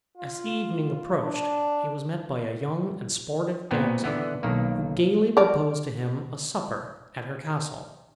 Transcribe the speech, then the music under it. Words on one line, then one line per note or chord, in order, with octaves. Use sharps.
As evening approached he was met by a young and sportive damsel, who gayly proposed to him a supper at her castle.
F4
D4
A#2 B3 C4
D3 E3 B3
B1 D#3 A#3
A#4 D5